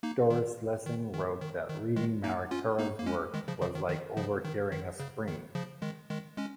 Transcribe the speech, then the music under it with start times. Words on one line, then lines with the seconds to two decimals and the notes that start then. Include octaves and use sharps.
Doris Lessing wrote that reading Marechera's work was "like overhearing a scream".
0.03 A#3 D#4
0.30 D#3
0.86 D#3
1.14 D#3
1.41 D#3
1.69 D#3
1.96 D#3 G#3
2.24 A#3 D#4
2.51 C#4 F4
2.79 A#3 D#4
2.98 A#3
3.06 G#3 C#4
3.34 D#3 G#3
3.48 C#3 F3
3.62 C#3 F3
3.75 D#3
3.89 D#3
4.17 C#3 F3
4.45 D#3
4.72 D#3
5.00 C#3
5.28 D#3
5.55 C#3 F3
5.82 D#3 G#3
6.10 D#3 G#3
6.37 G#3 C#4